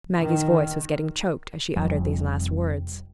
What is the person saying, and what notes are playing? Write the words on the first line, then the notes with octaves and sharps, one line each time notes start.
Maggie's voice was getting choked as she uttered these last words.
D#3
F1 F2 F3 G3